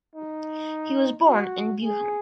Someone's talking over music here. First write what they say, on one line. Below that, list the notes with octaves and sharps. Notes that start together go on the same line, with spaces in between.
He was born in Buchen.
D#4
F#4
G#4